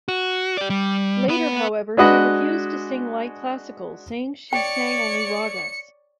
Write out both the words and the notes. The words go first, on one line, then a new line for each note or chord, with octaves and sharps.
Later, however, she refused to sing light classical, saying she sang only ragas.
F#4
G4 D5
G3
B3 B4
G#3 D4 F#4 B4 D#5 F#5
C#5 D5 G5 C#7